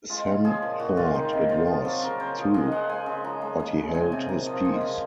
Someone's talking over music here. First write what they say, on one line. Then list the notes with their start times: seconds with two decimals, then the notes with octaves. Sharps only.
Sam thought it was, too, but he held his peace.
0.09 G#3 F4
0.27 C#3
0.45 F3 G#4
0.62 A#2
0.79 A#2 F#4
0.97 G#3 F4
1.14 D#3 D#4
1.33 C3
1.49 A#2 F4
1.67 F3
1.85 F#3 F4
2.02 C#3 A#4
2.20 C#3 C5
2.38 F3
2.54 G#3 D#5
2.72 G#3 F#5
2.89 G#3 G#5
3.06 C#3
3.24 F3 A#5
3.42 G#3
3.60 G#3
3.77 C#3
3.94 C3 G#5
4.12 C3
4.29 A#2 A#5
4.47 F3
4.65 G#3
4.81 C#3